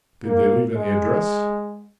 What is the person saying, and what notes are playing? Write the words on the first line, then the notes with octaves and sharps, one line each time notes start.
"Did they leave any address?"
A#3
G#3